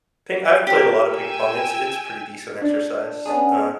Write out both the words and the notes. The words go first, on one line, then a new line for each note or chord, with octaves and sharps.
ping I've played a lot of ping pong, it's it's pretty decent exercise, uh,
G4 A#4
G5 G#5 E6
D4
B3 C#4 D4 G#4